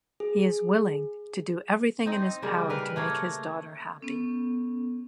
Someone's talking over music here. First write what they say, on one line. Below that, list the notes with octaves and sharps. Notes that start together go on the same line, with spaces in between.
He is willing to do everything in his power to make his daughter happy.
G#4
C4 D#4
C#3 G3 A#3
A#4 B4 F5
A3 A#3 C#5
B3 C#4 A4